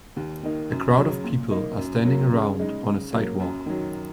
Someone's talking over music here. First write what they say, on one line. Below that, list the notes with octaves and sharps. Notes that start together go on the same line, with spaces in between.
A crowd of people are standing around on a sidewalk.
D#2
D#3 A#3 D#4
F#2
C#3 F#3
A#2
A#3 D#4
F#2
F#3 A#3
C#3
G#3 D#4
C#3
F#3 A#3
F#2
D#3 F#3